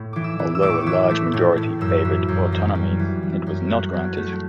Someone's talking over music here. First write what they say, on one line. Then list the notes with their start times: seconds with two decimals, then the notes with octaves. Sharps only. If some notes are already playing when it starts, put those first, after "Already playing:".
Although a large majority favoured autonomy, it was not granted.
Already playing: A2
0.13 E3 D6
0.24 E6
0.39 E3
0.55 E6
0.62 A2 D6
0.70 C#6
0.78 D6
0.86 E3 E6
1.10 A3
1.34 A2
1.58 A2
1.81 F#2 E6
2.05 E3
2.28 F#2
2.52 F#2
2.75 G3
2.99 E3
3.23 E3
3.46 F#2
3.70 A3 F#6
3.94 F#3
4.17 A3